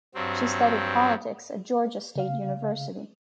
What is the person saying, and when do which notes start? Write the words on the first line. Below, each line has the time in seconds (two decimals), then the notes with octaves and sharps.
She studied politics at Georgia State University.
0.15 G2 F#3 C4
2.16 C#3 F5